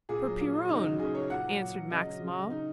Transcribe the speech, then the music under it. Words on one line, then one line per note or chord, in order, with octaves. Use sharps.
"For Piron!" answered Maximov.
A#2 G#4
F#3
A#2
F#3
C#3 D#4
F#3 F#4
C#3 G#4
F#3 C#5
A#2 F#5
F#3
A#2
F#3
C#3 D#5
F#3
C#3
F#3
C#3 D#4